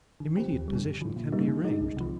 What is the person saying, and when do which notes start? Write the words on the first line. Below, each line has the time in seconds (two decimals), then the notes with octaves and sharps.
Immediate possession can be arranged.
0.20 D3
0.37 F3 C4 G4
0.53 D#2
0.68 D3 G3
0.85 G2
1.01 D3 F3
1.16 A#2
1.32 G3 A#3 D#4
1.48 D3
1.64 G#3 D#4
1.81 C2
1.97 C3 F3